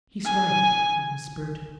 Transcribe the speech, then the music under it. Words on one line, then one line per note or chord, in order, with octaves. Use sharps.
"He's right!" he whispered.
G#5